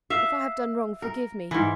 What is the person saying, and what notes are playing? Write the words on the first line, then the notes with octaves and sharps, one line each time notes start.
If I have done wrong, forgive me.
E5 F5
A#4
G#2 E3